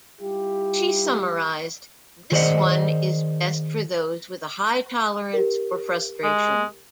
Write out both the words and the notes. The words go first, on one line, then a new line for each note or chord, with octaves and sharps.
She summarized, This one is best for those with a high tolerance for frustration.
G3 E4 F4 G4
D#3 G#4 C5 D5 D#5 F#5
G4 A#4
G#3